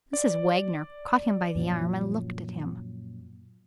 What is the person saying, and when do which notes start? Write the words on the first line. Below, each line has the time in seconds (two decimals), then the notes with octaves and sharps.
Mrs. Wagner caught him by the arm, and looked at him.
0.13 D5
1.55 F#2 A#2 F3 F#3